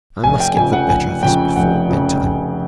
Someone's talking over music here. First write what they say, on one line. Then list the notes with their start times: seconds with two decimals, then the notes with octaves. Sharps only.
I must get the better of this before bed-time.
0.24 F1 G#5
0.40 G5
0.57 F2 C#3 F3 G#5
0.73 F#5
0.90 F1 G#5
1.23 F2 C#3 F3 G5
1.56 F1 F#5
1.89 F2 C#3 F3
2.22 F1